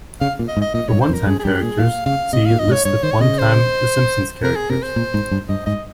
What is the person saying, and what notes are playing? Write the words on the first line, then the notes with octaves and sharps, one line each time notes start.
For one-time characters, see "List of one-time The Simpsons characters".
C#3 F5
A#2
D#5
G#2
D#5
A#2 D#5
G2 C#5
C5
F2
A#4
G2 G#4
G#4
G2 G4
A#2 G#4
A#2 F5
C#3 F5
C3 D#5
A#2 F5
D#5
G#2
C#5
G2 C#5
D#3 C5
C#5
C#3 D#5
C5
C3 A#4
G#4
C3 A#4
C5
A#2
G#2
G2
G2 D#5
G#2 D#5